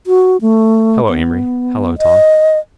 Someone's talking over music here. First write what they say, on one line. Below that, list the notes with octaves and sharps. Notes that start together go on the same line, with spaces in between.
"Hello, Amory--hello, Tom."
F#4
A3
B3
D#5